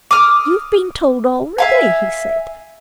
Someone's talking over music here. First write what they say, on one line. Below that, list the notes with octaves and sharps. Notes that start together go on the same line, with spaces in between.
'You have been told already?' he said.
D6 D#6 F6
E5 F5 G#5